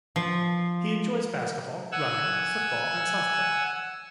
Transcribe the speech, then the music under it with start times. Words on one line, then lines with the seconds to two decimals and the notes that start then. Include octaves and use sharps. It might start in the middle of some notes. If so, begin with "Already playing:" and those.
He enjoys basketball, running, football and softball.
0.16 F3
1.92 F#5 G#5 E6